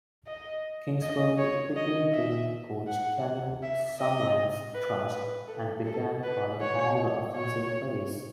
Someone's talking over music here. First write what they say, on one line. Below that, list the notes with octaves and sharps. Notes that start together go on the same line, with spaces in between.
Kingsbury quickly gained Coach Kevin Sumlin's trust and began calling all the offensive plays.
D#5
D#5
C#5
D#5
E5
F#5
E5
D#5
B4
B4
A4
A4
B4
C#5
C#5